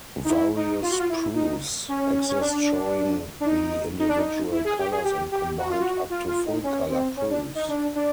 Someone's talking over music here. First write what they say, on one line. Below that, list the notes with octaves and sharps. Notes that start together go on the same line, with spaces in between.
Various proofs exist showing the individual colours and combined up to full colour proofs.
D#4
E4
D#4
F4
F#4
F4
E4
D#4
C#4
C#4
D4
D4
D#4
D#4
D4
D#4
E4
G#4
G4
G#4
G4
G4
F#4
F4
F#4
F4
F4
D#4
C#4
C4
C#4
D4
D#4
D4
D4